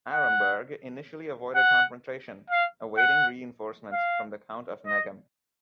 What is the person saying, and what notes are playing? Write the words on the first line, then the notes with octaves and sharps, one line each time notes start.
Aremberg initially avoided confrontation, awaiting reinforcements from the Count of Meghem.
F#5
F#5
F5
F#5
F5
D#5